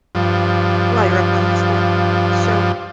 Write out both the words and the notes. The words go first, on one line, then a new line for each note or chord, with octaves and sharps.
while you're up on this lift So,
G2 F3